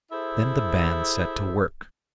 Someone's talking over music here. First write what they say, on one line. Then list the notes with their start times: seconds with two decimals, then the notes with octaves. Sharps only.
Then the band set to work.
0.12 E4 G#4 A4 C5 E5